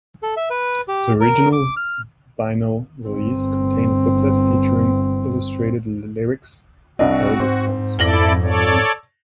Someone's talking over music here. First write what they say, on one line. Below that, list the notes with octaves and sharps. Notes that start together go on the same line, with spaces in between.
The original vinyl release contained a booklet featuring illustrated lyrics to all the songs.
A4
E5
B4
G4
A#4
D6
F6
G1 C4
C2 C4 D4 F#4 D#5
G#2 C4
F2 E4 A4 D5 A#6 F#7 G7
A4 C#5 D5